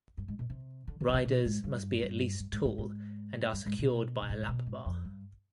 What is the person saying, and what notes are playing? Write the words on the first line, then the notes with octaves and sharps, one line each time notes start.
Riders must be at least tall and are secured by a lap bar.
G2
G#2
B2
C3
D3
D#3
D3
C3
B2
G#2
G2
G2
G2
G#2
G#2
G#2
G2
G#2
B2
B2
G#2
C3
B2
G#2
F2
G2